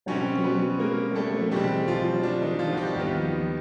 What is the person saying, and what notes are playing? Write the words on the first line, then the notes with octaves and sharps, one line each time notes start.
But they were picked up and amplified by Doctor King.
B2 G3 C4 C#4 C#5
B3 B4
A#3 A#4
A3 A4
B2 G3 G#3 C4 G4
F3 F4
D4
D#4
F3 F4
F#4
G3 G4
D#2 D#3 G3 B3